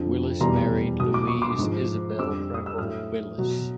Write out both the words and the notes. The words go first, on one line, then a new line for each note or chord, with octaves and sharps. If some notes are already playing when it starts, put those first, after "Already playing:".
Willis married Louise Isabel Trimble Willis.
Already playing: F2 D3 F3
E2 B2 G3 A#5 C6
B2 F#3 D#6
D6
C#6
C6 D6
G#2 F3
F2 D3 G3 D6 E6
D#6
E6
A2 F#3 D#6 F6
B2 F#3